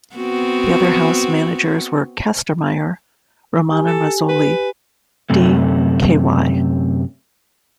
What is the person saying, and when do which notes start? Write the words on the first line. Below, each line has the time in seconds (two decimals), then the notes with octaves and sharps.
The other House managers were Kastenmeier; Romano Mazzoli, D-Ky.
0.16 B3 C4 F#4
3.71 G4 G#5
3.86 A4
4.29 B4
5.30 F#2 C3 A3